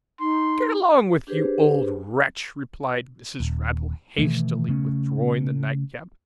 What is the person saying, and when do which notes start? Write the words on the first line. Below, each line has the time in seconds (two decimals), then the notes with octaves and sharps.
'Get along with you, old wretch!' replied Mrs. Raddle, hastily withdrawing the nightcap.
0.20 D#4 C6
1.27 D4 G4 G#4 B4 C5
3.40 D#1
4.18 B2 D#3 E3 A3
4.69 C#3 A3 C#4